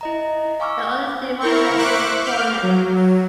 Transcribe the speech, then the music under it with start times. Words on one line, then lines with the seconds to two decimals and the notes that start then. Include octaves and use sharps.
The author demolishes his opponents.
0.01 E4 D#5 A#5
0.60 F5 G#5 C#6 D6 E6 F6
1.41 E4 A#4 C#6
1.78 C5 E5 C#6 D6 F#6
2.24 D6 F6 G6
2.63 F#3